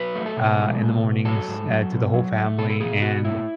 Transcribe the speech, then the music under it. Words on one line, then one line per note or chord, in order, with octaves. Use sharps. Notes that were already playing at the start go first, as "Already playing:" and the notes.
uh, in the mornings, eh, to the whole family, and,
Already playing: F#3 B4
A3
A4
B2
G#3
B2
B2
F#3 A4
G#2
F#3
B2
F#3
A3
B2 A4
A4
B2 G#4
B2 F#4
A2 E4